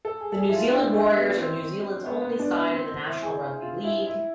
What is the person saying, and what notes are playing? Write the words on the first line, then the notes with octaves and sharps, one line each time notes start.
The New Zealand Warriors are New Zealand's only side in the National Rugby League.
A4
G#4
A4
G#4
E4
F4
D4
A3
B3
C4
B3
B3
D4
E4
C4
C4
E4
G#4
G#4
F4
E4
E4